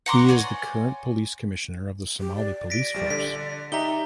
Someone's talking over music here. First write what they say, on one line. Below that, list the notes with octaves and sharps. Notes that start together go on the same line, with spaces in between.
He is the current Police Commissioner of the Somali Police Force.
F#5 A#5 C6 D6
C#5 D5 G#5
G4
D5
A#6 B6 D7
A#1 G3
D3 B6
D#4 G4 E5 A#5 G7